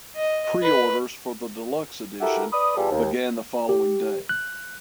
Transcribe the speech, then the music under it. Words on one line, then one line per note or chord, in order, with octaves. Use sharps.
Preorders for the deluxe edition began the following day.
D#5
B4
E4 F#4 G4 A4 A#4 E5
B4 D5 B5 D#6
E2 G3 F4 G#4 A4
D#2
G4
F#6